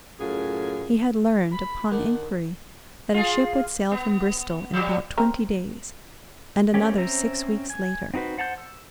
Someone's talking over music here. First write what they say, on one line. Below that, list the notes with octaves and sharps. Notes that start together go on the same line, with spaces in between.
He had learned, upon inquiry, that a ship would sail from Bristol in about twenty days, and another six weeks later.
F#2 A2 F4 G#4
B5
D#3 D4 F#5
F4 G#4
B3
F3 G3
A3 C4 A#4
A3 A#3 C4 C#4 G4
C4 C#4 C5 E5 A#5
G#5
C4 D#4 F#4 B4 C5
C5 F#5 A5 A#5 G6
E6